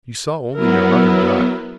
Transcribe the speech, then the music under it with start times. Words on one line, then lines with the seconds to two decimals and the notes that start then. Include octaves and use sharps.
You saw only your mother die.
0.56 F#3 B3 E4 A#4